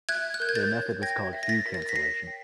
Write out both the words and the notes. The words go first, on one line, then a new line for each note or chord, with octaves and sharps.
Their method was called "hue cancellation".
E5 F#6 G#6
F#6
A#4 G6
G#6
G6 A6
C#5
G5 G#6 A#6
E5
A#6
A6 B6
A#4
A6
A#6
B6
C#5 A#6 C7
G5